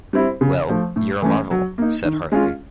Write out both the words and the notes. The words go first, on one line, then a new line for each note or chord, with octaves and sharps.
"Well, you're a marvel," said Hartley.
G3 C4 E4
C#3
F3 A3
A2
E3 A3 C#4
F#3
A#3 D#4
D#3
G#3 C#4 F4